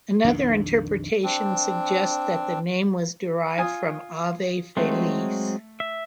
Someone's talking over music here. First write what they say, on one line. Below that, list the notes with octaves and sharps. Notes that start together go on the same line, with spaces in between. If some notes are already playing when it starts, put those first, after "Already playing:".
Another interpretation suggests that the name was derived from "ave feliz".
B1 F2 D#3 D4
C4 D4
F4 G#5 D#6
F#3 G#3 A3 C4
E5